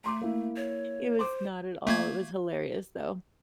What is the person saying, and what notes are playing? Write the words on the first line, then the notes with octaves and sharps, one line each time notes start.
It was not at all. It was hilarious, though.
A3 A#5 C6 D6
A#3 E4
C#5
C5 C6 D6
A3 A#3 G#6